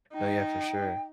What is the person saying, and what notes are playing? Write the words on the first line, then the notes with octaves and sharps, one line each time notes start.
No, yeah, for sure.
D#4 G5